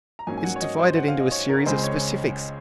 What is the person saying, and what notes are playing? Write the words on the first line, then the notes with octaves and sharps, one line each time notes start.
It is divided into a series of specifics.
A#5
G#2 F#3 A#3 C#4 G#5
G#5
F#5
C#5
D#5
C5
F#5
F5
D#5
C#5
A#4
C#2 C#3 G#3 C4 C5
C#5